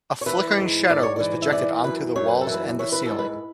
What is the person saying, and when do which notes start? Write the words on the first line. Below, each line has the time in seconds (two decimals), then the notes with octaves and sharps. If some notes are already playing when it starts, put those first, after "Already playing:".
A flickering shadow was projected onto the walls and the ceiling.
0.21 C#5
0.26 E3 B4
0.58 G#2
0.89 G#2 D5
1.03 C#5
1.16 E3 D5
1.42 E5
1.52 E3 D5
1.84 F#2 B4
2.16 F#2 C#5
2.28 B4
2.41 A4
2.47 E3
2.54 B4
2.79 E3 C#5
2.92 B4
3.06 A4
3.11 G#2
3.19 B4